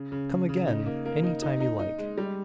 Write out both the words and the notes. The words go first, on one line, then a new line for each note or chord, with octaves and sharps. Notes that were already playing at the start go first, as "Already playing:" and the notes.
"Come again any time you like."
Already playing: C#3
C#3
C#3
C#3
D#4
A#3
A#3
D#4
D#4
D#4
D#4
G#3
G3